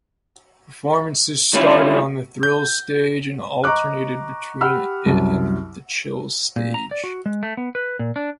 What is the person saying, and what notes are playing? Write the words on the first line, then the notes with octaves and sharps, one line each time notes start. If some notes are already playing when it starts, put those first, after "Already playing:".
Performances started on the Thrills stage and alternated between it and the Chills stage.
D#3 G3 A#3 C#4 E4 F4
G6
D#5 A#5 C#6 D6 F#6
G4 F#5 B5 E6 F6
C2 F#2
A#2
A#5
D5
F#4
G#3
A3
B3
B4
A#2
D4